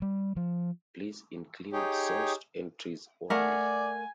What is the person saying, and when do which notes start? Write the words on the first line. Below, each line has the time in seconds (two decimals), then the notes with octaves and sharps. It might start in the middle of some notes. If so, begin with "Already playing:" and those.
Please include sourced entries only.
0.02 G3
0.36 F3
1.73 D#4 G4 G#4 C#5
3.30 A3 A#4 D5 F5 F#5 G#5